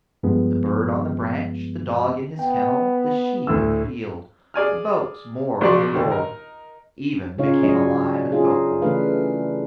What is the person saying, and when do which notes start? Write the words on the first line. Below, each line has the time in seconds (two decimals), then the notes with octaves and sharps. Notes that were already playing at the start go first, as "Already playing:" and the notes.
The bird on the branch, the dog in his kennel, the sheep in the field, the boats moored in the Loire, even, became alive and vocal.
0.23 G2 F3 G#3 B3
2.39 B3 G5
3.47 D2 A2 E6
4.54 G#4 D5 G#5 F6
5.61 A#1 F#3 C5 D5 C6 C#6
5.94 D#2 D3
6.10 D#4 A#4
7.38 C#3 C#4 D#4 F4 C#5 F5
7.63 F#3 D4 C#5 D#5
8.32 C#4 D#4 F4 G#4
8.82 C#3 E3 A3 D4 B4 F5